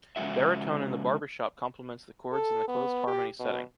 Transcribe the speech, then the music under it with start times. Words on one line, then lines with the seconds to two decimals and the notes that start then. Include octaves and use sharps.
Baritone in the Barbershop complements the chords in the closed harmony setting.
0.16 C#3 F3 G#3 F4 F#4 E5
2.32 A4
2.68 B3
3.07 G4
3.39 B2